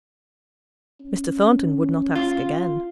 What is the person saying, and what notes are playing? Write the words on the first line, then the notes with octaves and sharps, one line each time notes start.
Mr. Thornton would not ask again.
C#4
F4